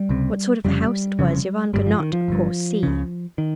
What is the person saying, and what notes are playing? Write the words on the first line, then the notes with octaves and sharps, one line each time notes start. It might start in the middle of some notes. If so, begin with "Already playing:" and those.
What sort of a house it was Yvonne could not, of course, see.
Already playing: G3
C#2 C3
F1 F2 C#3 G3
F1 F2 C#3
G1 G2 G3
F3
D#3
F3
G1 G2
C#2 C#3
D#3